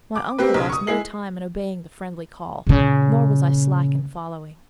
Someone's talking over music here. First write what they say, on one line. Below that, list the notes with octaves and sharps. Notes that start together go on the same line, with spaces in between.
My uncle lost no time in obeying the friendly call, nor was I slack in following.
D6
A#3 C4 G4 B4
B1 C#3
C#6 D#6
G#3 E4 G#4 C7 F#7
A#2 C#3